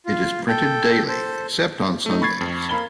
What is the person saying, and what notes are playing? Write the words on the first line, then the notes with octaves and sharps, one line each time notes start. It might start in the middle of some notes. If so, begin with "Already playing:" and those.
It is printed daily, except on Sundays.
F4
A4 G5
A4 C5
A3 D#4
B5 C#6 G#6 A6 C7
F2
A#3 B5 G7